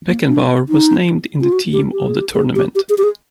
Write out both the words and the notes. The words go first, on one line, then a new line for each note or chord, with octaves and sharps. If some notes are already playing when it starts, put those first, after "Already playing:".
Beckenbauer was named in the Team of the Tournament.
A#3
D4
D#4
F4
F#4
G4
G4
G#4
G4
G#4
G4
G4
G#4
G4
G#4